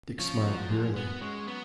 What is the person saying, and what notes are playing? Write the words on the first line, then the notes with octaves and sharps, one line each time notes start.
Dick smiled wearily.
F3 C#4
F#3
G#2
B3 F#4
G#3 C#4
F#3 B3